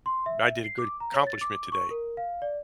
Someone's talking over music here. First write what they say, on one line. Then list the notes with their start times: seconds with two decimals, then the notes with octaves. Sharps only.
I did a good accomplishment today."
0.06 C6
0.26 E5
0.64 C7
0.78 D6
1.00 A#5
1.14 C#5
1.27 A6
1.41 D6
1.72 C#6
1.91 A#4
2.17 F5
2.42 D5